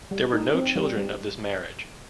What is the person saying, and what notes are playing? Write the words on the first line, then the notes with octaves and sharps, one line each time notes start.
There were no children of this marriage.
G3
D#4
C4
G3
G3